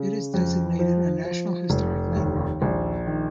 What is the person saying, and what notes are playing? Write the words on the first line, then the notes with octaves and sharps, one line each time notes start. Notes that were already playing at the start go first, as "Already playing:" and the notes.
It is designated a National Historic Landmark.
Already playing: C#3
F2
F3
F3
F1
D#2
A#1
D#3